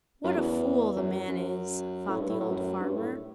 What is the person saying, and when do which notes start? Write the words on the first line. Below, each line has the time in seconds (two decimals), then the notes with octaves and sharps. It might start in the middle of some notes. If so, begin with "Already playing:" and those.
"What a fool the man is!" thought the old farmer.
0.24 F#2
0.36 E2
0.96 F#2
1.28 F#2
2.09 A2
2.20 G2
2.29 A2
2.40 A2
2.50 F#2
2.81 G2
2.96 A2